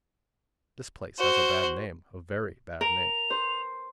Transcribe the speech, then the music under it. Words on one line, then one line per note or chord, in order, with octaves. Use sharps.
This place has a bad name,--a very bad name.
F#4 C5
A#4 F7
C5